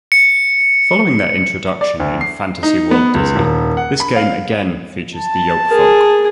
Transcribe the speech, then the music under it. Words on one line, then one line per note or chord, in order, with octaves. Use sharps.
Following their introduction in Fantasy World Dizzy, this game again features the Yolkfolk.
C#7
D5
D2
C7
D#4
B3
C#2
D#1
F#5
B5
F5
A5
G#4 A#4